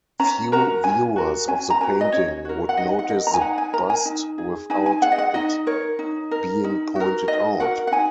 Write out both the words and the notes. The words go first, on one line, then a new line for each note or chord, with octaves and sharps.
Few viewers of the painting would notice the bust without it being pointed out.
C#4 A#5
F#4 A#4 A#5
C#4 G#5
F#4 A#4
C#4 G#5
A#5
F#4 A#4 G#5
D#5
C#4 C#5
F#4 A#4
F#5
D#4 D#5
F#5
A#4 D#5
A#5
G#5
D#4 F#5
G#5
A#4 A#5
G#5
D#4
G#4
D#4 G#5
G#5
G#4 F#5
D#5
F#5
D#4 D#5
A#4 C#5
D#4
A#4
D#4
F#4 A#4
D#4 D#5
F#4 A#4 F#5
F#5
D#4 G#5